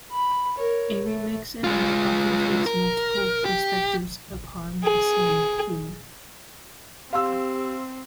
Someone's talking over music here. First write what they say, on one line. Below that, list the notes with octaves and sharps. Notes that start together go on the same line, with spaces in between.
A remix in art often takes multiple perspectives upon the same theme.
B5
A#4 C#5
A3
G#3 F4
A#4
G4
G#4
C4 G4 F5 C6 E6